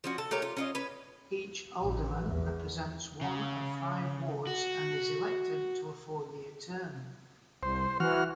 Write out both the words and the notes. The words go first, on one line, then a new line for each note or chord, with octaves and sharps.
Each alderman represents one of five wards and is elected to a four-year term.
F3 C#4 F#4
A4
A3 G4 A#4 C#5
F4
C#4 F4 D#5
C#4 B4
A1
E2
C#3
F#4
C2 C5
E3 F#4 F6